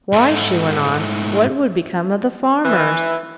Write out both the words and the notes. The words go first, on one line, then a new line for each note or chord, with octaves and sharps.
'Why,' she went on, 'what would become of the farmers.'
G#2 A3
E3